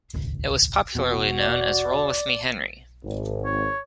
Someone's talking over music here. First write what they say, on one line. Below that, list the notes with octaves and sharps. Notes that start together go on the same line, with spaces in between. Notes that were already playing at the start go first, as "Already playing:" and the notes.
It was popularly known as "Roll with Me Henry".
D#1 G#1 C#2
E1 B2 F#4
D5
G#1
C#5